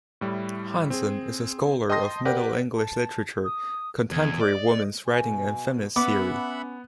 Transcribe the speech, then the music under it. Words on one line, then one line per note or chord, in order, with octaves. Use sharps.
Hansen is a scholar of Middle English literature, contemporary women's writing and feminist theory.
A2 G3 E4
C4 G#4
D#5 G5 A5 C6 D#6 A#6
G4 A#4 B4 D5 F#5 G5
A5
D#6
E2 G#6
D5 D#5
B2 G#5
B3 C#4 E5 F#5 B5 D6